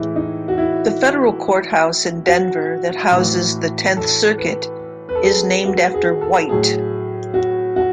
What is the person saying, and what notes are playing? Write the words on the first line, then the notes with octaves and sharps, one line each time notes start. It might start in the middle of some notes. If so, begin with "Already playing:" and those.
The federal courthouse in Denver that houses the Tenth Circuit is named after White.
Already playing: A2 E3 G#3 E4
D#4
F#4
E4
F#4
A2 E3 A3
A4
B4
B4
A4
G#4
F#4
G#4
A4
A2 F#3 A3 G#4
F#4
F#4